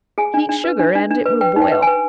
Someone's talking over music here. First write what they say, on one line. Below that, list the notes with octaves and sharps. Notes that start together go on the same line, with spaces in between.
Heat sugar and it will boil.
G#4 G#5
D4
D4
B4
D4
D4
D4
B4
B4 G5
D#4
G5
B4
G#5
B4